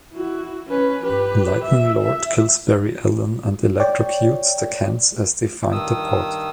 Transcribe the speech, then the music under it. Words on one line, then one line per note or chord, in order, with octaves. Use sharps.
Lightning Lord kills Barry Allen and electrocutes the Kents as they find the pod.
E4 F#4
C#4 B4
G4 B4
E5
E5
C#5 D5 G5
G2 D#3 D#6 E6